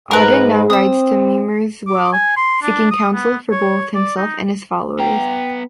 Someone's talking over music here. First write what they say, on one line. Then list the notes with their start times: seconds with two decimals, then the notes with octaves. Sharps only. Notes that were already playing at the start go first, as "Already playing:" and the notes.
Odin now rides to Mimir's Well, seeking council for both himself and his followers.
0.11 G#2 A#4 B4
0.70 C4 D#6 E6
1.87 D6
2.13 G#5
2.37 C6
2.62 D4
2.91 D#6
3.13 B3
3.51 C#5
3.95 D5
4.17 D#4
4.99 B3 G5 A#5